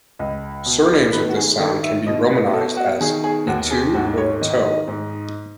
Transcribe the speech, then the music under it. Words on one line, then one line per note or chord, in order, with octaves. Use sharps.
Surnames with this sound can also be romanized as Itou or Itoh.
C#2 D#5
B2
D#3 B4
F#4
G#4
D#3 A4
E5
B2 D#5
B4
B2 A4
F#4
D#3 G#4
G#4
D#2 F#4
G#4
G#2 F#4
C#5
D#3 D#5
D#5
G#2